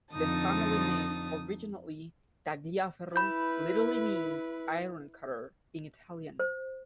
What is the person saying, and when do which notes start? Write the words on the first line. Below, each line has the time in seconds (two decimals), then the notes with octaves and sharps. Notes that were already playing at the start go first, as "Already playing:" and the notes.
The family name, originally "Tagliaferro", literally means "Ironcutter" in Italian.
0.14 F2 D3 D#4 A5 D#6
3.16 E4 B4 B5 G6
6.40 C5